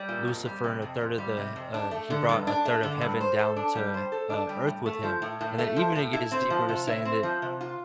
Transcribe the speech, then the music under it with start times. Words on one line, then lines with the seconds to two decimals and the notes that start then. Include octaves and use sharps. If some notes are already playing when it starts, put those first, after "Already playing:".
Lucifer and a third of the, uh, he brought a third of heaven down to, uh, earth with him. And then even it gets deeper to saying that
Already playing: G3
0.09 A#2
0.27 F2
0.45 G3
0.64 C3
0.82 F2
1.01 F2
1.18 G3
1.37 C3
1.56 F2
1.74 D4
1.91 A3
2.10 D3
2.29 G2
2.47 D4
2.65 A3
2.83 D3
3.01 G2
3.21 C5
3.39 A4
3.56 D4
3.75 G3
3.94 C5
4.12 A4
4.30 D4
4.49 G3
4.67 A2
4.86 A3
5.03 F3
5.22 A2
5.41 A2
5.58 A3
5.76 F3
5.95 A2
6.13 E4
6.32 C4
6.50 F3
6.69 C3
6.87 E4
7.05 C4
7.23 F3
7.42 C3
7.61 F4